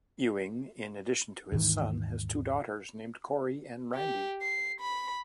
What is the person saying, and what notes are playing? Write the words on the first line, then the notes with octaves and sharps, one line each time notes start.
Ewing, in addition to his son, has two daughters named Corey and Randi.
D#1 G#2 D#3 E3
G4
C7
B5